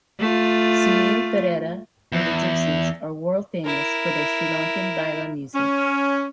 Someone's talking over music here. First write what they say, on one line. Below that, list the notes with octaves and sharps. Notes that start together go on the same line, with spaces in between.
Sunil Perera and the Gypsies are world-famous for their Sri Lankan baila music.
A3 F4
E2
E4 A#4
C#4